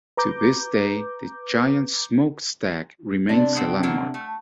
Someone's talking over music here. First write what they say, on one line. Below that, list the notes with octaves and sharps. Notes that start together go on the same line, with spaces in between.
To this day, the giant smokestack remains a landmark.
B4 A#5 D6 G6
C3 D4 D5
B3 C4 G5
D3 F#3 A#3
A3